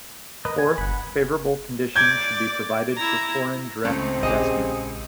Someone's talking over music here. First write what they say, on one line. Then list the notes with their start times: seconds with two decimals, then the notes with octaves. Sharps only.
Fourth, favorable conditions should be provided for foreign direct investment.
0.45 A#4 B4 D#5
0.58 G#5
0.78 G1 F#5 B5
1.96 D5 G6 G#6
2.97 E4 A#5
3.85 C#2 A3 C4
4.23 A#1 G4 G#4 D#5